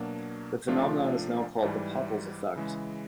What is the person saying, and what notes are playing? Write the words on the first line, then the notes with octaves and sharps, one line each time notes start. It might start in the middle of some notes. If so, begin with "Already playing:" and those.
This phenomenon is now called the Pockels effect.
Already playing: B2 F#3 A#3 D4
C3 F3 A3 D4 F4
G#2 E3 G3
C#3 E3 G#3